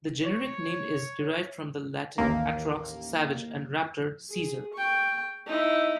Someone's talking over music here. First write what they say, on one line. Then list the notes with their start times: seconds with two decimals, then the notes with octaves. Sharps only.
The generic name is derived from the Latin "atrox", "savage", and "raptor", "seizer".
0.25 C#5
2.18 A1 D#2 A#3
4.30 G#4
4.74 G5 C#6
5.47 D#4 E4